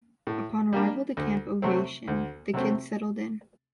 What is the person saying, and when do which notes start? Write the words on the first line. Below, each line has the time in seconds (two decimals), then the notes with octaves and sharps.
Upon arrival to Camp Ovation, the kids settle in.
0.27 A2
0.73 G3 A#3 D4
1.17 D2
1.62 C3 F#3 A3 C4
2.08 D2
2.54 C3 F#3 A3 C4